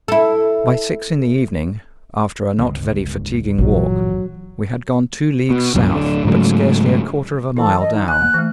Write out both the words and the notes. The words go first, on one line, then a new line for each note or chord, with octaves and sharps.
By six in the evening, after a not very fatiguing walk, we had gone two leagues south, but scarcely a quarter of a mile down.
E4 A4
G1 C#2 G#3
A#1 E3 F#3
B2
C2 F#2 A#2
D1 D3
G#2 C#3 F#3 A3
E3 E4 A4
D#5
D#4
G#5 F#6
A#3
E3 A3